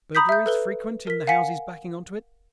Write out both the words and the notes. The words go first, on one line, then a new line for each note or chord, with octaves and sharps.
"Burglaries frequent in the houses backing on to it?"
A#5 B5 D#6 G6 B6
E5 G6
A4 B4 G7
A#4 B6
F5 F#5 G#5 B6 C#7